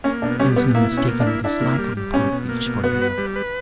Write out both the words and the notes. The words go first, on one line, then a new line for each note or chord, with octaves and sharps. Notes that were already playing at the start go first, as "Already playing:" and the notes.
There was no mistaking the dislike on the part of each for the other.
A#3 C#4
B2 D4
G3 C#4
B2 B3
A#3 E4
B2
C#4
A#3
D4
E4
D4 E4
A#3
G3
G3
B2 C#4
B2
A#3
B2
B3 F#4
B4
G3
B4